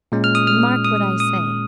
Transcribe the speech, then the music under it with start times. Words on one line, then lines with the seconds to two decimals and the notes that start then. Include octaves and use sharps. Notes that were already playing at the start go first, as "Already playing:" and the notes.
You mark what I say.
0.12 A#2 G#3 C#4
0.24 F6
0.35 D#6
0.47 F6
0.85 D#6
1.20 D#6